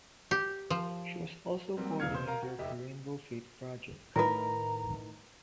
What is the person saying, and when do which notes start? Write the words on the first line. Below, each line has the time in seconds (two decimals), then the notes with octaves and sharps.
She was also coordinator of the Rainbow Faith project.
0.31 G4
0.70 F3
1.77 F#3 G3 A#3 C4
1.99 E1 E3 F5 F6 G#6 C#7
2.13 B2 C5 G6
2.26 A#4 F5 A#5
2.42 F#4
2.59 F1 G4 D#5 E5
4.16 A2 D#3 A#4 B4 A#5